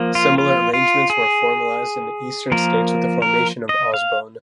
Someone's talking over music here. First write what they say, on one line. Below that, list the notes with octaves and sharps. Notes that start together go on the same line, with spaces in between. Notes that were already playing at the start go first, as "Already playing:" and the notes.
Similar arrangements were formalised in the eastern states with the formation of AusBone.
Already playing: F3 A#3
F4
F4
F4
G#4
F3 A#3 A#4
A#4
D#5
F5